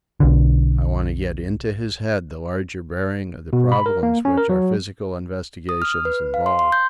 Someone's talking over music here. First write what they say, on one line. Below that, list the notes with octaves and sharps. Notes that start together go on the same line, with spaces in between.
I want to get into his head the larger bearing of the problems which our physical investigations involve.
B1 D3
B2
B5
A#4
A#3
C#4
A#4
F#3
D#6
F6
B4
F5
C6
C6
G6